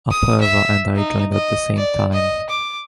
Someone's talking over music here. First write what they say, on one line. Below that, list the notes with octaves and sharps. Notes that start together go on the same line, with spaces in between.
Apurva and I joined at the same time.
D#6
E5
D#4
D#5
D5
D#5
D6